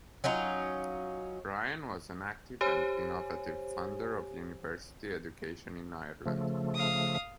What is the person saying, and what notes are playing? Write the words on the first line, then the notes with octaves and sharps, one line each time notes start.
Ryan was an active and innovative funder of university education in Ireland.
F#3 C#4 D#4 F4
G4 C5 C#5 G#5
C#3 F3 A3
F5 D#6